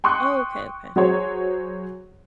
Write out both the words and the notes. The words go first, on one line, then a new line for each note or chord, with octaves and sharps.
Oh, okay, okay.
G5 C6 C#6 D#6 F#6
F#3 F#4 G#4 C5 C#5